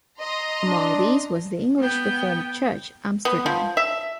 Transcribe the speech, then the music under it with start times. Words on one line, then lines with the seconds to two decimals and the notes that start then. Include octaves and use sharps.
Among these was the English Reformed Church, Amsterdam.
0.19 D#5 A#5 C6
0.66 D4
1.80 B3 G5
3.25 B3
3.46 F3
3.77 E5